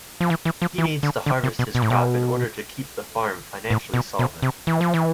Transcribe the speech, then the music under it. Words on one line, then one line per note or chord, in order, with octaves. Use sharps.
He needs to harvest his crop in order to keep the farm financially solvent.
F3
E3
E3
F3
E3
D3
D3
C3
B2
B2
A2
B2
A2
B2
B2
C3
E3
F3
E3